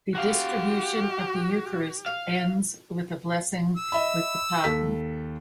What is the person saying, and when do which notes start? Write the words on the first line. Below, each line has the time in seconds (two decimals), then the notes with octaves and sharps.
The distribution of the Eucharist ends with a blessing with the Paten.
0.15 F#4 G4 F5
2.06 F5
3.77 E6
3.92 D#5 E5 B5
4.64 D#2 A4 B6